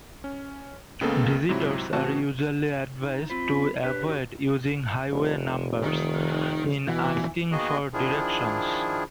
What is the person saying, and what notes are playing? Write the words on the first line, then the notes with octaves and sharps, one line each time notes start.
Visitors are usually advised to avoid using highway numbers in asking for directions.
C#4
C#2 C#3 A#3 B3 A4
G#2 C3 F#3 E4
A2 E3 C4 F#4 A5
D#4
C4 F4 C5 B5
D4 G4 B4 C#5
F#4
F1
D#3 D#4
B2 E3
D#3 A#3 B3 F#4 G#4 D#5
D#3 F3 D4 E4 F4 G#4